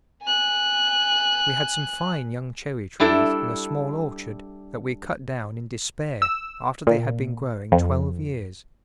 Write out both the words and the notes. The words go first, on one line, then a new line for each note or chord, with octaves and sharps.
We had some fine young cherry-trees in a small orchard that we cut down in despair after they had been growing twelve years.
G#5 F#6
G3 D4 E4 A4
E6
A#2
F2